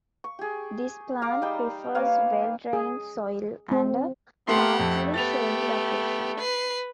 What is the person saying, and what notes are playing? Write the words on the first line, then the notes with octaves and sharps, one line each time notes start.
This plant prefers well drained soil and a partly shady location.
C#6
G4 G#4
F5 A#5 D6
G3 D#4 D5 G5
A#3 B4 C#5 F5
G#4
C4
A3 B3 G4 F#5 C6 C7
F2 A3
B3 G4 A6 F7
B4 C7